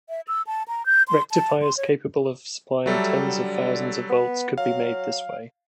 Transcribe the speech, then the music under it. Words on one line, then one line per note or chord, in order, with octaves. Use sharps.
Rectifiers capable of supplying tens of thousands of volts could be made this way.
E5
E6
A5
A#5
G6
C6
A5
C6
C#5
F#3 G3 A3 A4
D3
B3
F#3 F5